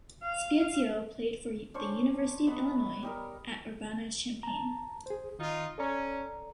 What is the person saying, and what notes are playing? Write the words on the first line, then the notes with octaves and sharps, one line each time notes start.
Spiezio played for the University of Illinois at Urbana-Champaign.
F5
C#4 D4 C5 C#6
B3 D#4 B4 F#5
G3 D#4 A#4
A5 A#5
G#4 C5
D#3 D#4 F4
C#4 A4 D5 A#5